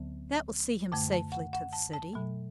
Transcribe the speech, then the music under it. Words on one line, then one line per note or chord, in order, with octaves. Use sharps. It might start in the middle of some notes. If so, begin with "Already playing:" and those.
That will see him safely to the City.
Already playing: D2 D3 F#3 B3
F#2 D3 A3 A5
A5
F#5
F#5
A5
A5
B2 F#3 A3